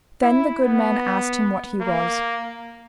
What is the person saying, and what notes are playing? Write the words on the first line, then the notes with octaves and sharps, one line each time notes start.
Then the good man asked him what he was.
E4
B3
A#3